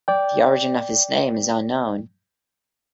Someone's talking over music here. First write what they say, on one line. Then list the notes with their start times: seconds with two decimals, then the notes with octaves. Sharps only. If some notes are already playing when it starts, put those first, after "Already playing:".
The origin of his name is unknown.
0.08 D5 G5